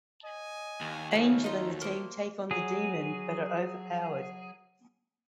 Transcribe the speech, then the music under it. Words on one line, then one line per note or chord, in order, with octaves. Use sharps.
Angel and the team take on the demon but are overpowered.
D#5 G#5
D#2
C#3 F3 F#3 A3 C#4
D#4 F4
A#3 C5
F#3 G#4